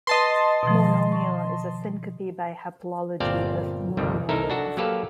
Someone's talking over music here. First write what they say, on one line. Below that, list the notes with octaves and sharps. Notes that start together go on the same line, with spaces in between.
"Monomial" is a syncope by haplology of "mononomial".
B4 D#5 A5 C6
B2 D#3 F3
C#6
G1 A#2 C4 D5 F5 A5
G1 C2 F2 D#3 G3
C2 D#4 E4 A4 A#4
D4 F#4 A4
F#3 A#3 G4 A4 B4 F5